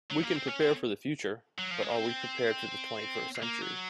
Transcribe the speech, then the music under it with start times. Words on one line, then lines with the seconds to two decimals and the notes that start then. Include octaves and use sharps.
We can prepare for the future, but are we prepared for the twenty-first century.
0.11 F#3
0.23 A#3
0.36 C4
0.47 C#4
0.60 C4
1.58 F#3
1.71 F3
1.82 G#3
1.90 A#3
1.95 C4
3.43 A#3
3.61 F#3